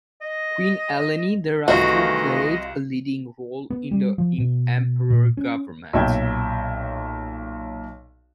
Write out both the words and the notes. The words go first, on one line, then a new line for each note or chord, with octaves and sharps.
Queen Eleni thereafter played a leading role in the Emperor's government.
D#5
C2 D#3 E3 A3 F4 F#4 D#5
B3
G3
F3
B2
A#2
C#4
B1 A#2 C#5 E5 G5 G#6